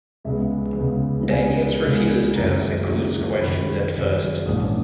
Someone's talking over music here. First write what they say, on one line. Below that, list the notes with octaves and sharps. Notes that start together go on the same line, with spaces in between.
Daniels refuses to answer Klute's questions at first.
C#2 C#3 G#3 B3 E5
C#2 C#3 G#3 B3
C#2 C#3 G#3 B3 G#5
C#2 C#3 G#3 B3
F#1 F#2 D#3 A#5
F#1 F#2 D#3
F#1 F#2 D#3 B5
F#1 F#2 D#3
A#1 G#2 E3 A#3 C#4 D#6